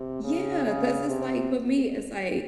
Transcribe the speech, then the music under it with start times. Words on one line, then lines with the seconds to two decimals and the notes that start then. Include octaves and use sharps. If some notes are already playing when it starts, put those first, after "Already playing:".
Yeah, 'cause it's like for me, it's like
Already playing: C3
0.23 C#3
0.66 C#3
1.08 C3